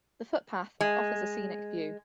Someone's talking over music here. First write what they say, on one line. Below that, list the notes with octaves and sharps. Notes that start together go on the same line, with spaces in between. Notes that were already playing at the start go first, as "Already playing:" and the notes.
The footpath offers a scenic view.
G#3